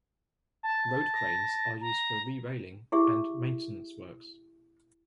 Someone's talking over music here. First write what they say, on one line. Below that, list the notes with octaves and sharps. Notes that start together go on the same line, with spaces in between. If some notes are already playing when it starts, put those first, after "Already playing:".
Road cranes are used for re-railing and maintenance works.
A5
A#6
A#5
E4 G4 G#4 E5